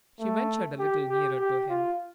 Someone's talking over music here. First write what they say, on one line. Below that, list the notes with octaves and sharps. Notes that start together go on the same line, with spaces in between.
She ventured a little nearer to him.
A3
G4
G4
G4
F4